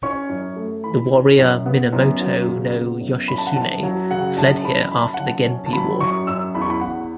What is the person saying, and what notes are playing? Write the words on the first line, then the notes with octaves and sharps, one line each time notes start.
The warrior Minamoto no Yoshitsune fled here after the Genpei War.
C#4 C#6
F#2
A3
E3 B5
C#4
F#2
B3
F#2
F#3
C#3
B3
F#2
F#2 B5
A5
F#5
F#2 A5
F#3
C#3 F#5
F#2 A5
A5
F#2 B5
F#2 B5
A5
F#5
F#2
A5
C#4
A5
F#3 B5
F#2 C#6
F#2 E6
E2 B5
C#6
B5
E2 F#5